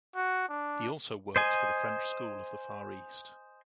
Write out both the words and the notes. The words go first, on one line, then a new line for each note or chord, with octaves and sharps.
He also worked for the French School of the Far East.
F#4
D4
C5 D#5 G#5